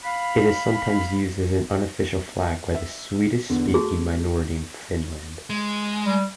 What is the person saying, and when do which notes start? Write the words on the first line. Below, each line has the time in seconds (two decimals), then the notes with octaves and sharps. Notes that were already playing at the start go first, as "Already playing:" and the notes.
It is sometimes used as an unofficial flag by the Swedish-speaking minority in Finland.
0.03 F5 B5
2.75 E5
3.49 E2 D3
3.74 A3 F#4 G#4
5.50 G#3
6.06 G3